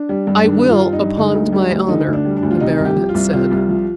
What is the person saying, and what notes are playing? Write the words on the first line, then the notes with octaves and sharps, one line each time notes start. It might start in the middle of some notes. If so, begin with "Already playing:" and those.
"I will, upon my honour," the Baronet said.
Already playing: D4
G3
G2
D#3 D4
G2
F4
G3
D#4
G2
D3 D#4
D2
G3
D2
D3 D#4
D2
D4
G3
D4
D2
F4
C3 D#4
C2
G4
F3
F4
C2
C3 F4
C2
F3